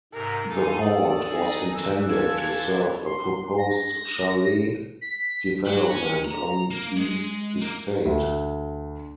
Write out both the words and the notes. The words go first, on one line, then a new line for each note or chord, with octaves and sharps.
The halt was intended to serve a proposed chalet development on the estate.
G#2 C3 A#4
D#4 A4 F5 G#5
D5 D#6
D#4 G#4
E3 E6
F4 A4 G#6
C6
A#6
B6
F#3
C#4
A#5
A#3
G#3
A#3
D2